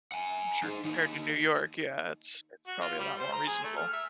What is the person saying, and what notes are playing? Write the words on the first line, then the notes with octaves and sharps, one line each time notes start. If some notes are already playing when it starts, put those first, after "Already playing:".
I'm sure compared to New York, yeah, it's it's probably a lot more reasonable.
F#5 G#5
D#4 G#4
D#2 D#4
F#4
F4
G3
C5
A#5
G#4
A3
F6
E5